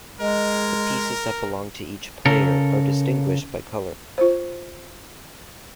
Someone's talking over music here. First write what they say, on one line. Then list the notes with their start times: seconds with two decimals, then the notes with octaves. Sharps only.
The pieces that belong to each player are distinguished by color.
0.20 G#3 A#4
2.26 C#3 A4 A#4
4.18 F4 C5